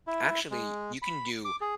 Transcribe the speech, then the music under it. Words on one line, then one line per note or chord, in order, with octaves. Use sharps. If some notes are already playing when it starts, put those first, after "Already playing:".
Actually, you can do
E4
G#3
B5
D6
G#4